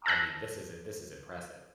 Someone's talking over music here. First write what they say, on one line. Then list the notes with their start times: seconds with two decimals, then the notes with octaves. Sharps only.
I mean, this is i this is impressive.
0.06 A5 E6 F#6 A#6